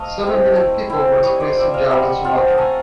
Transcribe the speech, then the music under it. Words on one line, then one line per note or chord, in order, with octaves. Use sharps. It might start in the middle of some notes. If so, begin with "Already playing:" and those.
Seven million people were displaced on Java and Sumatra.
Already playing: A3 D#5 F5
C4 E4
A3
C4 E4
G3 C#5 D#5
C5 D5
C4 F4 D5 E5
D#5 F5
G3 E5 F#5
C4 F4
A5
A3 G#5 A#5